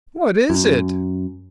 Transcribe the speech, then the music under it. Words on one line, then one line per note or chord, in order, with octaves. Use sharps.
"What is it?"
F#2